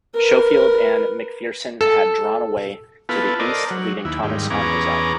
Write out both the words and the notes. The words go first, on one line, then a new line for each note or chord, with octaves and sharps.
Schofield and McPherson had drawn away to the east, leaving Thomas on his own.
A#4 B4
A4
B3 E4 F4 A4 B4
A4 A#4 C5 D5 D#5
F#3
D#2 E4
G#2 D#3 G3
E2 B3 C#4 G#4 A#5 D6